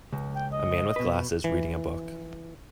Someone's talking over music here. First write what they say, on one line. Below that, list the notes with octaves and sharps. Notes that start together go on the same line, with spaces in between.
A man with glasses reading a book.
C#2
G5
D#5
B2 B4
E3